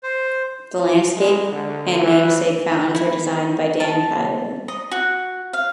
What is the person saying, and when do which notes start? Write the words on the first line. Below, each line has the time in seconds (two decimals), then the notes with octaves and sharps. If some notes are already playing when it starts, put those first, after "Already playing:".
The landscape and namesake fountains were designed by Dan Kiley.
0.03 C5
1.17 G#3
1.51 D3
2.00 E3
2.95 E4
3.80 A5
4.68 D#5
4.91 F#4
5.53 F5